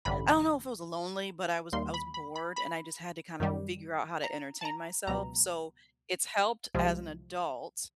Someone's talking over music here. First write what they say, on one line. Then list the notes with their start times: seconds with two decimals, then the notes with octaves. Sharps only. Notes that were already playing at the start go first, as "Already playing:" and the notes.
I don't know if it was lonely, but I was I was bored, and I just had to kinda figure out how to entertain myself, so, it's helped as an adult,
0.05 A1 G2 D3 B5
1.73 D#2 D#3 G3 A#3 C6
1.94 B5
2.14 B5
2.36 B5
2.56 B5
3.40 F#2 D#3 G3
4.24 A#5
4.61 A5
4.65 A#5
5.07 C#2 B2 F#3 B3 A#5
6.74 C2 C3 F3 G#3